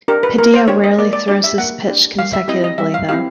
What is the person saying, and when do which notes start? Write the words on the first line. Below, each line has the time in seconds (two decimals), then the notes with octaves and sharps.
Padilla rarely throws this pitch consecutively, though.
0.08 D4 G4 A#4
0.23 B4
0.38 A#3 A#4
0.54 C5
0.67 D4 G4 C#5
0.84 D#5
0.98 A#3 D5
1.13 D5
1.28 D4 G4 D5
1.44 E5
1.58 A#3 F#5
1.88 D4 G4
2.19 G3 F5
2.33 E5
2.48 C4 E4 G4 D#5
2.64 D#5
2.78 G3 E5
2.94 F5
3.09 C4 E4 G4 F5